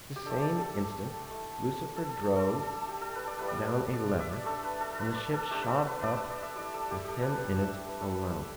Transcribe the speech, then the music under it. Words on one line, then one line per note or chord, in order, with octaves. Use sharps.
At the same instant Lucifer drove down a lever and the ship shot up with him in it alone.
G4
A3 D4 A4
D5
A4
A3 E4
A4
A4
A4
A3 D4 A4
D5
A4
A4
G4
A4
B4
D5
G3 B3 E4 B4
D5
D5
D5
E5
D5
A3 D4 A4
B4
A4
A4
B4
D5
A4
A3 D4 G4
B4
A4
B4
B4 D5
E5
D5
E5
G3 E4 D5
A4
G4
G4 A4
B4
B4
G3 D4 E5
E5
B4
A4
B4
E5